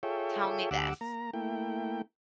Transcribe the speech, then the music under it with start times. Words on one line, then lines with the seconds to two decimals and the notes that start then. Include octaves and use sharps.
tell me this."
0.03 F4 G#4 A4 C#5 E5 G5
0.71 D2 G4 F#5 D6 E6
1.01 A#3 A#5
1.34 A3 A#3 E4 G5